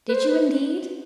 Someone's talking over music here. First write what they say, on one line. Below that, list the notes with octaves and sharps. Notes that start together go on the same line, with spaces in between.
"Did you indeed?"
B4
C5
B4